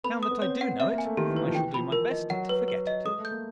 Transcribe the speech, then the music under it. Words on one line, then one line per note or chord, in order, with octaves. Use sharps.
"Now that I do know it I shall do my best to forget it."
B3 B5
D#6
B3
C4 C#5
F#5
C4 E5
A#3
G#5
A3
D#3 G4
E3
B4
F3
E3 G5
F3 B5
A#4
D#5
F#3 F#5
B4
B4
D#5
G#3 D#6
A3
G6
A#3